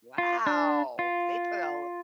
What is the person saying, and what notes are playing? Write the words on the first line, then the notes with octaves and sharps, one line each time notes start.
Wow! They put al
F4
D4
F4